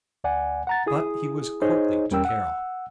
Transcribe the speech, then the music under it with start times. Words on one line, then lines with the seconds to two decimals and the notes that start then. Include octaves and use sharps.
But he was courtly to Carol.
0.24 D2 D5 F#5 G#5
0.67 F#5 A#5 A6
0.86 E4 G#4 D#6
1.62 D#4 G#4 C5 C#5 D#5
2.11 E2 G3 C#4 A#4 G5 E6
2.25 F#5 E6